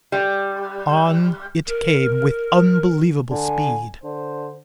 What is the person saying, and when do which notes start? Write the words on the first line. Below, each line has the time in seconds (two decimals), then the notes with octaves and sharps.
On it came with unbelievable speed.
0.12 G3
1.66 A#4
3.31 D3 G#5
4.04 D3 C5